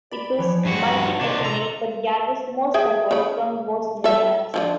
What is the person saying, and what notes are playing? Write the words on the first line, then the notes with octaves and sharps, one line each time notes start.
It is multi-ethnic, but gathers most support from Bosniaks.
D5 B5
E3 F3 C#5
G2 F#4 G#5 C#6
C3 D4 A5
F4 A4 A#5
G#4 E5 G5
C#3 B5
A4 E5
D3 E3 F3